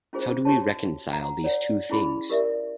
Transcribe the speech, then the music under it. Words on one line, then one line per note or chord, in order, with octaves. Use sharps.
How do we reconcile these two things?
C#4 F4 G#4 C5
F#4 G4 C#5 A5
F#5 A#5
C#5 D5 F#5
C#4 E4 G#4 B5
G4 A#4 D5 E5